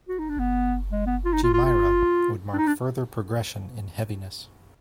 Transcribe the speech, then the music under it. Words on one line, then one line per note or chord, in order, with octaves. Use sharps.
"Chimaira" would mark further progression in heaviness.
F#4
D#4
D4
B3
G#3
B3
F4
D#4
F4
F4
F4
D4
D#4
D4